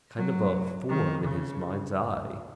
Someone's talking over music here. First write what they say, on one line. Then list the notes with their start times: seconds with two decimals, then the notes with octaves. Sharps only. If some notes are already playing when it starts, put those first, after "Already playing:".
Kind of a form in his mind's eye.
0.17 F#3
0.89 D#3
1.25 C#3